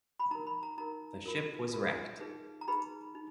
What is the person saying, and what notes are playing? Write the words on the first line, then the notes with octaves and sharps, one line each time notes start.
The ship was wrecked.
B5
D#4 A#4 A#5
B5
A#5
D#4 A#4 A#5
F4 A#4
F4 A#4
D#4 G#4 B4
A#5
D#4 G#4 B4 B5
D#4